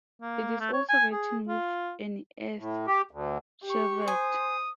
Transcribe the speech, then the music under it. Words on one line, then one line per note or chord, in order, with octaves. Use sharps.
It is also written with an "S", Sheveret.
A#3
A3
C#5
G#5
G#4
F4
A2
G4
D2
G4 C#6
C5 G#5 D#6